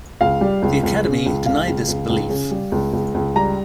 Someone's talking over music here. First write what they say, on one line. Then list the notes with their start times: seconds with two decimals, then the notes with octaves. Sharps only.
The Academy denied this "belief".
0.21 C#2 F5
0.41 G3
0.62 C#2
0.83 C#2
1.05 C#3
1.26 C#2
1.46 C#2 F5
1.67 C#2
1.88 C#2
2.09 C#2
2.30 C#3
2.51 G3
2.72 C#2
2.93 C#2
3.14 C#2
3.36 G3 A#5